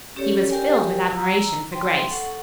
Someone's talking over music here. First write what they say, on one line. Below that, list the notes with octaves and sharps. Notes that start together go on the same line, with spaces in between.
He was filled with admiration for Grace.
C#4 G4 A4 C#5 D5
G4 A#4 D5 G5 G#5
A#5 E6
G5 C6
A4 F#5 C#6